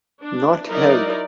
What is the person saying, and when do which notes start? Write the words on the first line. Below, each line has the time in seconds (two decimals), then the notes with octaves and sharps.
Not Held.
0.22 D4
0.67 F#3 D#4 E4 A#4 D5